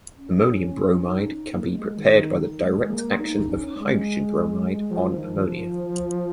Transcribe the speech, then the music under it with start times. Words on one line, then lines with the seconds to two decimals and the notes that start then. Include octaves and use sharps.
Ammonium bromide can be prepared by the direct action of hydrogen bromide on ammonia.
0.17 C#4
1.07 D#4
1.53 A#3
1.75 G#3
1.98 D#3
2.59 G#3
2.89 A#3
3.19 D#4
3.48 C#4
3.78 G#3
4.69 G#3
4.91 F3
5.14 D#3
5.36 F3